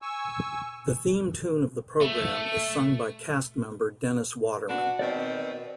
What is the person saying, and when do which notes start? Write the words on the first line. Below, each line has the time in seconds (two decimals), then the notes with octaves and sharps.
The theme tune of the program is sung by cast member Dennis Waterman.
0.02 G#5 C#6 E6
2.01 A3
4.68 B3 D4 F#4
4.99 B2 D#3 C4 D5